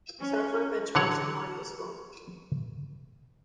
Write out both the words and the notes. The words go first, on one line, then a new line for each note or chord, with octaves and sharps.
Software benchmarks are more useful.
C#4
D3 E3 F#3 C#5 F#5